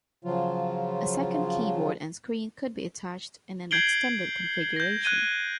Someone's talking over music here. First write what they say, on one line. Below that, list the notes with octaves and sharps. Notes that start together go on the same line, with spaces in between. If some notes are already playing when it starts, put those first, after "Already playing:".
A second keyboard and screen could be attached in an extended configuration.
C#3 F3 F#3 F4
G6 G#6 C7 D7 F#7 G7
G6 A#6
F#6 G#6 D#7 G7